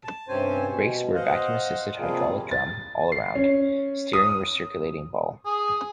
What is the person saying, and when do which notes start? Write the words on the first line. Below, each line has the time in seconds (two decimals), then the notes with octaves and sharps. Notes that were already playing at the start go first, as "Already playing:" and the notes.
Brakes were vacuum-assisted hydraulic drum all around, steering recirculating ball.
0.04 A5
0.28 G2 C3 C4 C#4 C5 G#5
0.69 B2
1.14 C5 D#5 F5 F#5
1.99 C3 F3 G3 A#3 F4 G#4
2.51 A6
3.12 C7
3.35 C#4
4.13 D#6
5.46 G#4